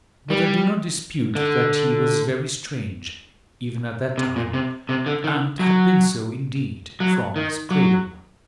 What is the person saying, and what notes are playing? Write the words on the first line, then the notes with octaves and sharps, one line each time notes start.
But I do not dispute that he was very strange even at that time, and had been so indeed from his cradle.
G3
D3
C3
A#2
C3
C3
D3
D#3
F#3
F#3
D#3
F#3